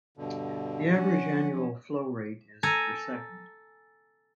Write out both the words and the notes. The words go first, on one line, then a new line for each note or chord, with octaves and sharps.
The average annual flow rate is per second.
G2 B2 D3
F3 F#3 C#4 D4 F#5
A4 G#5 A#5